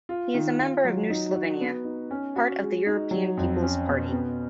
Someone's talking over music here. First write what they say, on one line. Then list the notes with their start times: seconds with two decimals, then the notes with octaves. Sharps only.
He is a member of New Slovenia, part of the European People's Party.
0.09 F4
0.34 D#3
0.59 F4
0.85 F#3
1.10 D#4
1.35 F#4
1.61 B3
1.85 D#4
2.11 C#4
2.36 F#4
2.61 G#3
2.87 D#4
3.11 F#3
3.37 F2
3.62 C#4
3.88 B2
4.13 B3